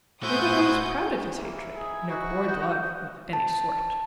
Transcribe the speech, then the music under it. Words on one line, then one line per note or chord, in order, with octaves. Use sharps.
Ruggedo was proud of his hatred and abhorred love of any sort.
A3 E4 F#4 C5 F#5 G#5 D#6 G6
A#3 E4
D#4 G#4
D#4 F#4 G#4
F#5 D#6 G6
A5